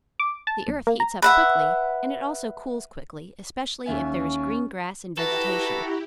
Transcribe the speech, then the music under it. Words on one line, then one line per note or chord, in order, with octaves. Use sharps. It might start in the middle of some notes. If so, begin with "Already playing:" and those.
The earth heats up quickly, and it also cools quickly, especially if there is green grass and vegetation.
D6
A5
B1
A#3
A#5
B4 E5 F#5
D#2 C#4 E5 G#5
E4 F#4 G4 A4 B4 A#5 B5